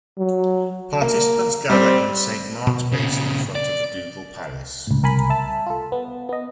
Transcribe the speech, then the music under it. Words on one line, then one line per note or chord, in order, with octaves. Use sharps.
Participants gather in Saint Marks Basin in front of the ducal palace.
F#3
A#3
G3 C4
B2
A#2 C#3
D5
C#2 A2
C2 A#4 G#5 B5
E5 A5
F4 A4
B3
B3 D#5